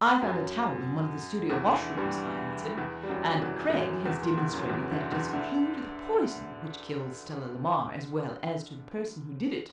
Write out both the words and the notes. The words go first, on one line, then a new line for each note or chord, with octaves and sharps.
"I found a towel in one of the studio washrooms," I answered, "and Craig has demonstrated that it is a clue to the poison which killed Stella Lamar as well as to the person who did it."
F#2 F#3
E2 E3
D2 D3
G2 G3
E2 E3
G3
F#2 F#3
E2 E3
E3
F#2 F#3
E2 E3
A#2
E2 E3
F#2 F#3
E2 E3
D2 D3
E2 E3
D2 D3